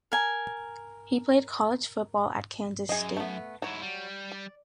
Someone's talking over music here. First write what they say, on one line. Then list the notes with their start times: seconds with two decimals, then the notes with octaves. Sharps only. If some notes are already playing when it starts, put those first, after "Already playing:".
He played college football at Kansas State.
0.12 A#4 G#5
2.89 F#2 G#4 D#5
3.17 A3 B3
3.62 G#2 F#3 E4 C#5
3.82 G3
4.32 D5